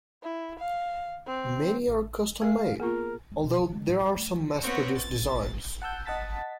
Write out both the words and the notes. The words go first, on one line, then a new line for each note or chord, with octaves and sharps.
Many are custom-made, although there are some mass-produced designs.
E4
F5
C4
A1
G#4 A#4 F5 G#5
A#3 B3 F4 G#4 A#4
C#2
B2
E4
G#3
A2
G3
A3
B3 C4 F#4 C#5
A6
F#5 A5 E6 G6
D#5 F#5 A5 A6 B6